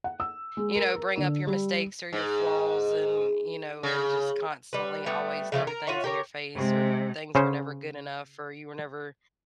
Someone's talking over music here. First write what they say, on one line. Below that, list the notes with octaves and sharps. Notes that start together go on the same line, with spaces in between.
you know, bring up your mistakes or your flaws and, you know, and just constantly always throw things in your face, or things were never good enough, or you were never
F#5
E6
G#3
A#4
A#4
D3
G3
G#2
C#3
G3 B4
G3 A3 B3
C#3 F3 A3
A#4
F4 F#4 C#5 E5
G4 A#4 C#5
C3 G#3
C#3 C#4 C5